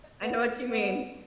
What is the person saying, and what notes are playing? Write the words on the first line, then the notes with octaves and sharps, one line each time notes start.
I know what you mean,
B3
B3